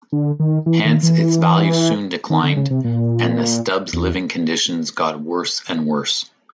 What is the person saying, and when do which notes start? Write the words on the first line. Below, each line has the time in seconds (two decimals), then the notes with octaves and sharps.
Hence, its value soon declined, and the Stubs' living conditions got worse and worse.
0.12 D3
0.40 D#3
0.66 E3
0.85 D#3
1.03 E3
2.30 D#3
2.44 D3
2.57 C#3
2.70 C3
2.84 A#2
3.93 E2